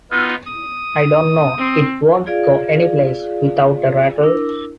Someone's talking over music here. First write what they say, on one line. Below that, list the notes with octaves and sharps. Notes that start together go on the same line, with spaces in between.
I don't know, it won't go anyplace without a rattle!
B3 D#4 F4
D#6
C4
F4 G#4 D5 F5
D4 E4 A#4